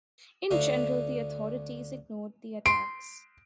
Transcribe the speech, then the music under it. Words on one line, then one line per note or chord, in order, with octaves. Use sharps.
In general the authorities ignored the attacks.
D2 D3 D4 D#4 E5 F5
C6 D7